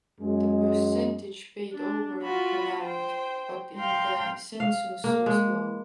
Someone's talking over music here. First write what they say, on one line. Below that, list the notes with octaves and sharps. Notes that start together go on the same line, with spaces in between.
The percentage paid over the land put in the census was low.
F#2 G#3
D4
F4 F#4 B5
C5 G5
F5 G5 A#5 C6
F5
A#3
G#3